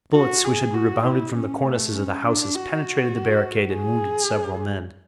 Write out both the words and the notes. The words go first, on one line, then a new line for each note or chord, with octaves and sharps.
Bullets which had rebounded from the cornices of the houses penetrated the barricade and wounded several men.
F#4
G#4
F#4
E4
C#4
A3
C#4
D4
F#4
G#4